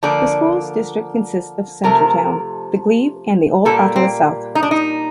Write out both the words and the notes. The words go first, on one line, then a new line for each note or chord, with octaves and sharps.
The school's district consist of Centretown, The Glebe and Old Ottawa South.
D3 F3 A#3 D5
C3 F3 A3 A#4
A#2 G3 A#3 A4
C4
D#4
D4
D#4